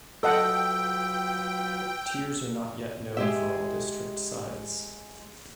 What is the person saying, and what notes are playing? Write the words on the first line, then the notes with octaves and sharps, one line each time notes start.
Tiers are not yet known for all district sides.
F#3 F4 A4 B4 D#5 F#5 G5 E6
G#3 G4 E5